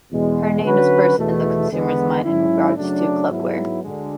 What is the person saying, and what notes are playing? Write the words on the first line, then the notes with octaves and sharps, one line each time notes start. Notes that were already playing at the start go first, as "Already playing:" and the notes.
Her name is first in the consumers mind in regards to club wear.
E2 B2 G#3
D3 F#3 C#4 F#4 B4
E2 B2 A3
E2 D3 G#3 B3
G#2 F#3 C#4 E4
F#2 C#3 F#3 A3 D4
G#2 F#3 B3 E4
D2 D3 G#3